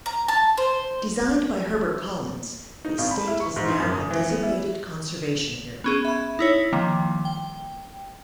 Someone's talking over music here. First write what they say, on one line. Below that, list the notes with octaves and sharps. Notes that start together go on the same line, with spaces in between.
Designed by Herbert Collins, the estate is now a designated conservation area.
A#5
A5
C5
D#4
G#1
B5
E4
C#6
G#2
D#4
F#2
D#6
E3
B3
E4
B3 C#4 G#4
E5 B5
D#4 E4 C#5
D#3 F3 G3 A#3
G5